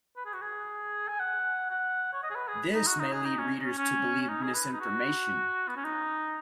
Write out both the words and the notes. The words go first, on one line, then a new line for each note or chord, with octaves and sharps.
This may lead readers to believe misinformation.
B4
G#4
F#4
G#4
G#5
F#5
F#5
C#5
D#5
G#4
B4
G#4
D#4
F#4
D#4
G#4
D#4
C#4
C#4
C#4
C#4
D#4
G#4
B4
D#4
F#4
B3
C#4
D#4